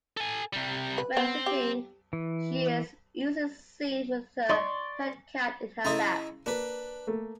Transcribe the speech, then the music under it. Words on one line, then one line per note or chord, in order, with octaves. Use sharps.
When sitting, she is usually seen with her pet cat in her lap.
A4 G#5
C3 G3
B4
B3 C4
G4
E3
D#4 D5 D#5 C6 C#6
C#3 E4 D#5 A#5 C6 D#6
A#3 D4 B4
A3 A#3